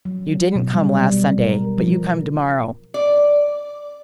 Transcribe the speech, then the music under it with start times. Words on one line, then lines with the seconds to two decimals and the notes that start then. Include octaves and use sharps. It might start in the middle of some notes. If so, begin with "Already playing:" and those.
You didn't come last Sunday--but you come to-morrow.
0.05 F#3
0.55 B2
0.73 G3
1.43 A#4
1.78 F3
2.94 D5